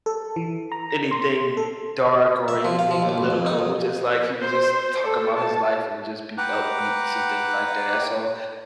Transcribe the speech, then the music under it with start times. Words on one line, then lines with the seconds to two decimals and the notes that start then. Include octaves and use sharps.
anything dark or anything political, it was just, like, he would just talk about his life and just be upbeats and things like that so
0.06 A4
0.36 E3
0.72 A#5
0.91 A#6
1.11 C6
1.57 A4
2.48 E5
2.65 F3
2.79 F5
2.91 F3
3.03 D#2
3.18 A1
3.30 F2
3.46 D#4
3.59 F2
4.41 C5
5.02 A4
5.36 A5
6.38 B4 F#5 G5 A#5 D6 F#6